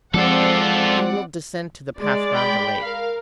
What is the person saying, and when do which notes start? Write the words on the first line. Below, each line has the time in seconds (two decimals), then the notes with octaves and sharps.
"We will descend to the path round the lake."
0.14 F3 G#3 C4 F4 A4 D5 F#5
1.97 G#3 D5
2.35 G5 B5
2.84 A#4 F5